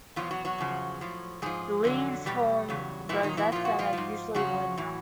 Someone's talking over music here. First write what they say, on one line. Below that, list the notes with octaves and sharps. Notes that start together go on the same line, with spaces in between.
The leaves form rosettes and are usually linear.
E2 B2 F3 F#3 F4
F#3 F#4
F#3 F#4
E2 C#3 F3
A2 F3
G#2 F3 G#3 G#4
F2 D3 F#3
E2 B2 F#3 G3 G4
E2 C#3 F#3
A#2 E3 F#3 E4
D#3 D#4
E3 E4
A#2 F3 F4
F#4
F3 F4
G#2 F3
F2 C#3 F3 F#3 F#4
A2 E3